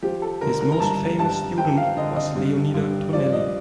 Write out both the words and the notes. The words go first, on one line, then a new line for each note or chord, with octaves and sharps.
His most famous student was Leonida Tonelli.
F3 G4
A4
D3 A#4
A#4
A#5
G2 A5
G2 A5
F3 G5
F5
D3 D#5
D#5
G2
G2
F3 D5
D#5